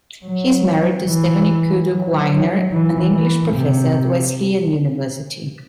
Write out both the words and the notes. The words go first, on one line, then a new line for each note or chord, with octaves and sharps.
He is married to Stephanie Kuduk Weiner, an English professor at Wesleyan University.
F#3
E3
F#3
F#3
E3
E3
C3